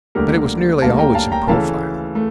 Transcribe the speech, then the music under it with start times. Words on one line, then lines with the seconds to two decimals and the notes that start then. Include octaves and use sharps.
But it was nearly always in profile.
0.15 D2 D3 G3 A#3 G4 A#4
0.82 D2 D3 G3 A#3 F5 A5
0.98 G5 A#5
1.15 F5 A5
1.32 G5 A#5
1.48 D2 C#3 E3 A3 F5 A5
2.15 A3